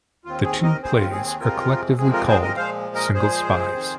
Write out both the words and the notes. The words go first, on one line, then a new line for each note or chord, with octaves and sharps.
The two plays are collectively called "Single Spies".
D#2 D#3 C4 F4
G#4
A#4 D#5
D#2 D#3 C4 G#4 C5
F4
G#4
G#4
F2 C3 F3 G#3 C4 F4 A#4
F2 C3 F3 G#3 C4 G#4
F4 A#4
G#4 C5
A#4 D#5
A#2 F3 G#3 C5 F5
A#4 D#5
A#2 F3 G#3 G#4 C5
F2 D#3 C4